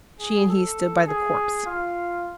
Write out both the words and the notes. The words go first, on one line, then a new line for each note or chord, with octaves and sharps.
She and he stood by the corpse.
G#4
A4
G#4
F4